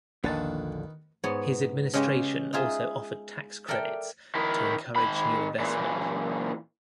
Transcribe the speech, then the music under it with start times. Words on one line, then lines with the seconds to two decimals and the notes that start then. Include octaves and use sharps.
His administration also offered tax credits to encourage new investment.
0.24 A#1 E2 A#2 D3 D#3 B3 A5
1.24 G#2 B3 C#5
1.94 C#3 G#3 G4
2.53 D#4 F4 G#4 E5
3.68 A4 A#4 D5 E5 G5
4.35 D#3 E4
4.96 D#3 B5
5.59 A#2 E3